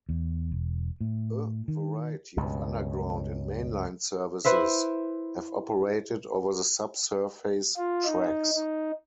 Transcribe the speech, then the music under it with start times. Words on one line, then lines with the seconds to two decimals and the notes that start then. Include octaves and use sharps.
A variety of underground and main line services have operated over the sub-surface tracks.
0.09 E2
0.52 E1
1.01 A2
1.68 D#3
2.37 C#2 G2 B2
4.45 E4 B4 C5 E5
7.77 F4
8.05 D#4
8.55 D#4